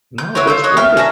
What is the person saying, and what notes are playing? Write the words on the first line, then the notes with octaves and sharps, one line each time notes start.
No, that's wonderf
G6
E4 F#4 B4 C#5
F4 E6 G6
F#4 C#5 D#5
E5 G5 F6
C#4 D4 E5 A#5